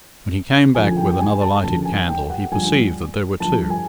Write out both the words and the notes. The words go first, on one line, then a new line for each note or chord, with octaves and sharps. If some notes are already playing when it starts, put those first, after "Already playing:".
When he came back with another lighted candle, he perceived that there were two.
D2 C#3 F3 G#5
G#5
G5
G5
G#5
A5
D2 C#3 F3 A5
G#5
G5
F#5
G2 D3 F3 G#5
G2 D3 F3 A5
G#5